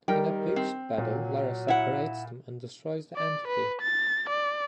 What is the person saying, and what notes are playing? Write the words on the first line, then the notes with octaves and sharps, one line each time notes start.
In a pitched battle, Lara separates them and destroys the entity.
D#3 G3 G4 A#4 G5
C4
A#2 F#3
E4 F#5
D5
B4
A6
D5